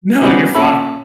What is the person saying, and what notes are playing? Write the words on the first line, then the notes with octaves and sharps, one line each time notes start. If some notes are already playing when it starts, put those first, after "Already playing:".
No, you're fine.
C#3 F#3 G3 B3 C4
A#2 C#4 A4 E5 B5